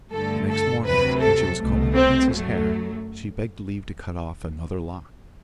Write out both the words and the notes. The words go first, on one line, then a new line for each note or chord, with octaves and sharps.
The next morning, when she was combing the princess's hair, she begged leave to cut off another lock.
G2 D3 A3 A4
A4
D2 C3 F#3 B4
A4
C2 B2 A3
C4
F#2 F#3 A3